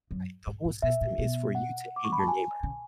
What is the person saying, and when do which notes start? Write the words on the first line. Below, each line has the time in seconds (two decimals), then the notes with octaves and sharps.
Right, the whole system is for you to hate your neighbor.
0.11 F#2
0.47 G#2
0.64 G#2
0.82 B2 E5
1.01 A2
1.18 B2
1.55 F#5
1.96 D6
2.04 C#6
2.12 B5
2.19 A5
2.28 G#5
2.63 C#3